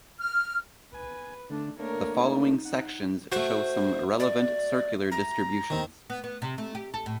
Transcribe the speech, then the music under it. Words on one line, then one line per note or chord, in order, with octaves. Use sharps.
The following sections show some relevant circular distributions.
F6
B4 G#5
D3 A3 D4
A3 A#3 D4 A#4 C#5
D#4
F#5
A3 F#4 C5
D5
A#5
D#3 C4
B3
B3
C3
A3
G4
A4
A2